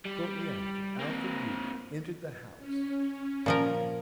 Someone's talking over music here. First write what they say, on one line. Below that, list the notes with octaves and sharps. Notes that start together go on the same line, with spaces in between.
Shortly after, Alfred Yule entered the house.
G3
A#3 C4
C#4
A#2 F3 A#4